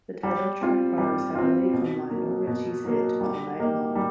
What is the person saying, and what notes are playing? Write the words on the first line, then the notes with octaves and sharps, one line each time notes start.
The title track borrows heavily from Lionel Ritchie's hit All Night Long.
G3
C4 F4
G3
C4 F4
B2
F#3 A#3
B2
F#3 A#3
G3
A#3 D#4 G4
G3